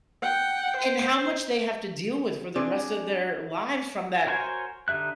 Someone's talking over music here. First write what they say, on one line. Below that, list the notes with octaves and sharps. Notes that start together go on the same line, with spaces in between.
and how much they have to deal with for the rest of their lives from that,
F#5 G5
C5
C4 D4 G#4 D5
F#4 A#4 C5 C#5 G#5
D3 D#4 G4 E5 F#6